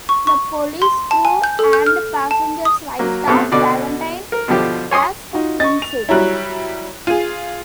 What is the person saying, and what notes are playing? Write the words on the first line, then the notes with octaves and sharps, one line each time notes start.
The police, crew, and passengers write off Valentine as insane.
C#6
C#6
C6
A5
G#5
G6
A4
G6
F6
A5
D#6
F#3 A#3
A1 B3 C4 A4
B2 D3 F#4 D5
A#4
B2 D3 F3 G4
C#5 G#5 C6 D#6
D#4 F4 F#4
D#5 C#6 A6
F7
F#3 G3 E4 C#5 A#5 F#6
F4 G#4 D#7